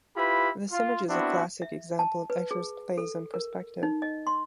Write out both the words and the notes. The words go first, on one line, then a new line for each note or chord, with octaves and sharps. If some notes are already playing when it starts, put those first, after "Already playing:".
This image is a classic example of Escher's plays on perspective.
E4 F4 G4 B4 B5
F4
B3 C4 D4 E4 F#4
E5
A5
B4
G#4
A4
A#4
D#4
D#5
C6